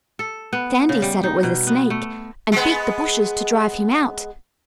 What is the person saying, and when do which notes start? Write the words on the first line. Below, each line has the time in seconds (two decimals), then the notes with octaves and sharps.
Sandy said it was a snake and beat the bushes to drive him out.
0.19 A4
0.53 B3
0.89 C#3
1.02 G3
1.24 D#4
1.43 B2
1.67 B3
1.90 A3
2.52 G#3 B3